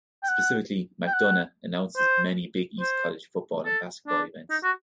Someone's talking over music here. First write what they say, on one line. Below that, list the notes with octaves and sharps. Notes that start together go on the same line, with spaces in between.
Specifically, McDonough announces many Big East college football and basketball events.
G5
F#5
G5
F#5
C5
C5
A4
D4
D#4
F#4